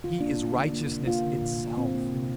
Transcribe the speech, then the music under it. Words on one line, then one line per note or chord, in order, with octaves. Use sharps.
He is righteousness itself.
D3 F4
A#3 D4
A#3
D3
A#3
C3
A#3 F4
D3
A#2
A#3
A#2 C4
A#3
C3